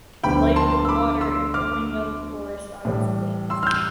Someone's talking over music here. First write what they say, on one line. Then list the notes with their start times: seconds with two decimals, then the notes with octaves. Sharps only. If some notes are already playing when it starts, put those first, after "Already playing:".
With light blue water and growing young forest on its banks.
0.24 D2 D3 F3 B3 G5 B5
0.56 A5 C6
0.85 E6
0.88 B5 D6
1.21 C6 E6
1.54 D6 F6
2.85 A2 E3 G3
3.50 C6 E6
3.63 F6
3.67 E6 G6